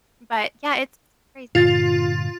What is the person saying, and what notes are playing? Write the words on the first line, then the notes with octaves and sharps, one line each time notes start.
But, yeah, it's crazy.
G2 A#2 D3 F4 A6